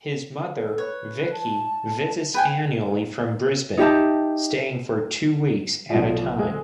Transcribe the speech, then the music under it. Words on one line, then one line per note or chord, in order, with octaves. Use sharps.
His mother, Vicki, visits annually from Brisbane, staying for two weeks at a time.
A4
B4 C#5
A5
B4 G5 G#5
D#4 G4 E5 A5
B1 F3 D5
G#3 C4 A4